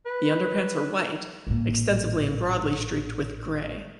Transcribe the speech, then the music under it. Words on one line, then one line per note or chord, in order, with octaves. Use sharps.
The underparts are white, extensively and broadly streaked with grey.
B4
A1 A#2